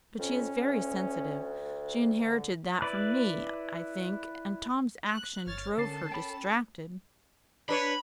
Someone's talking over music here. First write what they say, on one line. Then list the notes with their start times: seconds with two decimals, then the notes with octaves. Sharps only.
But she is very sensitive--she inherited that from me, I think--and Tom's action drove her distracted.
0.19 F2 C#4
0.61 D2
2.16 D3
2.82 E4 B4 D5
5.10 F#6
5.47 G1 C#5 F6 G#6 A6
5.77 D3 C#4 A4 A#4 A5 A6 C7
6.12 G5 B5
7.69 D4 B4 C#5 B5